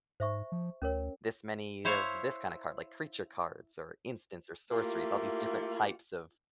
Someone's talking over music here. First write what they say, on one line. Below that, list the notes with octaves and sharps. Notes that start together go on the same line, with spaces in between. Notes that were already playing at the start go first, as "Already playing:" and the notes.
this many of this kind of card," like, creature cards or instants or sorceries, all these different types of
G#2 C5 E5 C#6
F3
D2 C#4 A#4 C#5
E4 C5 C#5 F5
A3 A#3 E4 F4 G4